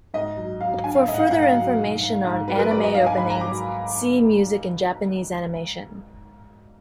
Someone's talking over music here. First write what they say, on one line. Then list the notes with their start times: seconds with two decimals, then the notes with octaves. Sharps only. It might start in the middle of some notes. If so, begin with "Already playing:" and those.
For further information on anime openings, see Music in Japanese animation.
0.14 G#2 D#5
0.37 F#3
0.61 F#3 F5
0.84 D4 G#5
0.96 F5
1.07 G#2 D#5
1.14 F#5
1.19 F5
1.30 G#2 F#5
1.42 F5
1.54 F#3
1.78 G#2
2.01 G#2
2.24 G#2
2.47 F#3 B4
2.56 A#4
2.59 B4
2.71 F#3 D5
2.83 D#5
2.94 G#2 F5
3.06 G#5
3.18 G#2 B5
3.30 A#5
3.41 F#3 D6